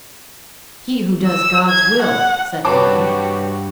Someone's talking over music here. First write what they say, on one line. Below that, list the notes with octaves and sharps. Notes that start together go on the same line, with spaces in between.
"He who does God's will," said another.
E6
G#6
F#5
G2 C4 F#4 G4 B4 C#5 A5 D6